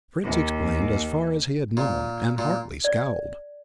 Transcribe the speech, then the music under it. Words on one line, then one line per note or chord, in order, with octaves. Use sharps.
Fritz explained as far as he had known, and Hartly scowled.
D#2
A#2
A#2
D5